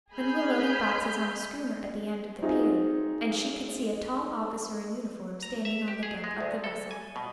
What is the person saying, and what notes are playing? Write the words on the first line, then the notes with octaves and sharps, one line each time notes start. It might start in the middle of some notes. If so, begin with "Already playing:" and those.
Men were loading boxes on a schooner at the end of the pier, and she could see a tall officer in uniform standing on the deck of the vessel.
G#4 D#5 G#5 B5 F6 G6
C4 D#4 F4 F#4 G#4
A#5
E5
G4
G#4
G#3
D2
A4
G#5
B2